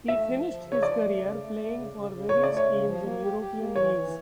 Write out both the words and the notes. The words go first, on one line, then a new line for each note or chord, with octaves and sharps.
He finished his career playing for various teams in European leagues.
A3 E5
F3
F3
C#3
C#5
F3 D5
A3
C#3
A3
A3
C#3
C#3
C#3
C#3 C#5
A3 D5
C#5
C#3
F3
A#3
G4
G4
A#3
E3 C#5
E3